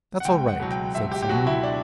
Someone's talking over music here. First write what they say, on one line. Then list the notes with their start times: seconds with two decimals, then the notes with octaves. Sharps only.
'That's all right,' said Simon.
0.20 F#5
0.25 C#2 G5
0.48 F#5
0.59 B2 F#3
0.71 G5
0.95 C#2 E5
1.12 G4
1.22 G4
1.29 B2 F#3 F#4
1.47 E4
1.63 D4